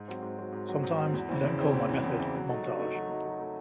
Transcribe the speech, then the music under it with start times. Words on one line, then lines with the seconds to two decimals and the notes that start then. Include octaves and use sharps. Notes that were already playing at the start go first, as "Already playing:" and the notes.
Sometimes I don't call my method 'montage'.
Already playing: G#2
0.08 F#3 C4
0.22 G#2
0.38 F#3 C4
0.52 G#2
0.68 F#3 C4
0.83 G#2
0.97 F#3 C4
1.14 E2
1.29 C#3 E3 C4
1.43 E2
1.58 C#3 E3 C4
1.74 E2
1.89 C#3 E3 C4
2.04 E2
2.18 C#3 E3 C4
2.34 F#3
2.49 A3 D#4
2.63 F#3
2.79 A3 D#4
2.95 F#3
3.09 A3 D#4
3.25 F#3
3.40 A3 D#4